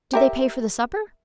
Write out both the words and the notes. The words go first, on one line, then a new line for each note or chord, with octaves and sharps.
"Did they pay for the supper?"
G4 A#4 E5